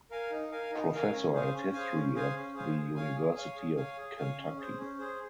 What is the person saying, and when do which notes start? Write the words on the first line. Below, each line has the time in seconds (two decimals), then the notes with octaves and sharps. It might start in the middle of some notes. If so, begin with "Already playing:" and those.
Professor of History at the University of Kentucky.
0.10 A#4 F5 G#5
0.31 D#4
0.51 A#4 F5 G#5
0.71 D#4
0.92 A#4 F5 G#5
1.12 C#4
1.32 G#4 C5 F5 G#5
1.53 C#4
1.73 G#4 C5 F5 G#5
1.93 C#4
2.14 G#4 C5 F5 G#5
2.35 C#4
2.54 G#4 C5 F5 G#5
2.75 G#4
2.95 C#5 F5 G#5
3.15 G#4
3.36 C#5 F5 G#5
3.56 G#4
3.77 C#5 F5 G#5
3.97 G#4
4.17 C#5 F5 G#5
4.38 C#4
4.57 G#4 C5
4.78 C#4
4.98 G#4 C5